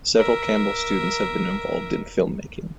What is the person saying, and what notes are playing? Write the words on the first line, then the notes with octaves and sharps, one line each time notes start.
Several Campbell students have been involved in filmmaking.
A#4 E5